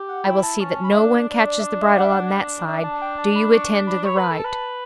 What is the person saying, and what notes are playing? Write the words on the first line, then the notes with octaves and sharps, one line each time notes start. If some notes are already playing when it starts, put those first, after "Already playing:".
I will see that no one catches the bridle on that side; do you attend to the right.
Already playing: G4
F#5
E4 G5
A5
C#4 A5
B5
D4 E5
D5
D4 D5
D5
E5
D5
E5
F#5
E5
F#5
D4 E5
A5
G5
A5
B5
C#6
B5
C#5 B5
B4
A4
A5
B4